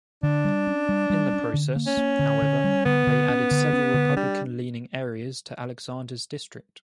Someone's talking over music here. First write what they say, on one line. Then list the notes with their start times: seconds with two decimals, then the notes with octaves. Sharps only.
In the process, however, they added several Republican-leaning areas to Alexander's district.
0.23 D3 D4
0.45 G3
0.67 C#4
0.89 G3
1.10 G3
1.33 C#4
1.54 D3
1.76 A#3
1.87 C#4
1.97 A#3
2.19 D3
2.42 D3
2.64 G3
2.85 D3 B3
3.07 D3
3.29 C#4
3.51 D3
3.73 C#4
3.94 D3
4.16 G3 D4